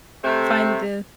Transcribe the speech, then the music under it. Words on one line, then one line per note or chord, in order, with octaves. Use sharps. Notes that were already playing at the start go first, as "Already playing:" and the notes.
find the
C3 A3